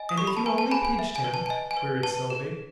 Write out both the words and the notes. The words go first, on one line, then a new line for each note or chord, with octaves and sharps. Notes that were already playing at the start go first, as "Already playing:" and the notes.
"And if you only pinched him?" queried Sylvie.
Already playing: D#5 G#5
D#6
A4 C#6
B5
A5
B4 G#5
A5
G#4 G#5 B5
G#5
E5
G#5
B4
A5
D#5 G#5
G#5
B4
B4 A5
G#4